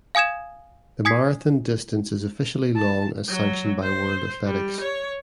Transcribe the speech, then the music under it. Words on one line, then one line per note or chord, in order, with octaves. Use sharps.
The marathon distance is officially long as sanctioned by World Athletics.
F5 G#5 D#6 G#6 E7
G#5 D#6 G#6 B6 C7
A5
F#3
C5
G3
C#5